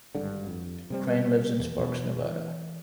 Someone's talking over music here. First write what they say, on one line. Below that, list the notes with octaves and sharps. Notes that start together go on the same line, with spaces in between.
Crane lives in Sparks, Nevada.
G#1 G2 D3
F2
C3 G3 C4
E2
E1 B2
E3